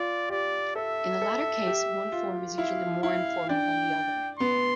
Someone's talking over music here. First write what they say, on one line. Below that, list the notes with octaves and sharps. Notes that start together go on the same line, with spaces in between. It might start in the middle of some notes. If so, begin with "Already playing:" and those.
In the latter case, one form is usually more informal than the other.
Already playing: F4 D5
G4 D5
A4 E5
A4
G4
F4
E4 F5
E4 F5
D4 G5
B3 C6